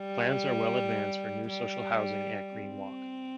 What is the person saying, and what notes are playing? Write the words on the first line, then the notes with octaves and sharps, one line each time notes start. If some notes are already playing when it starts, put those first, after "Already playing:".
Plans are well advanced for new social housing at Green Walk.
Already playing: G3
G3
C4